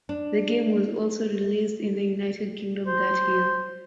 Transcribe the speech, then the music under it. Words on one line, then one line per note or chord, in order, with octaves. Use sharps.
The game was also released in the United Kingdom that year.
D4
C5